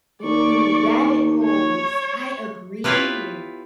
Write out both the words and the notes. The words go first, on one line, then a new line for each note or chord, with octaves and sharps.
Ooh, rabbit holes, I agree,
D#2 D5 C#6
C#5
B3 E4 F4 G4 B4 C#5